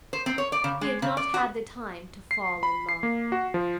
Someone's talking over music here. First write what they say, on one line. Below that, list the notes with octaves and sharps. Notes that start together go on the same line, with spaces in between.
He had not had the time to fall in love.
C5
C4
C#5
D5
C#3
G#3
C#3
D5
F#4
C7
B5
C7
A#3
F#4
F3